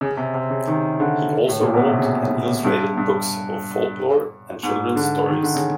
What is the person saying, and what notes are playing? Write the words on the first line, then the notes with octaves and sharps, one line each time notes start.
He also wrote and illustrated books of folklore and children's stories.
C#3
C3
C3
C#3
D#3
D3
A2
A#2
B2
C3
C#3
G2
G2
G#2
D3
D#3
D3
C#3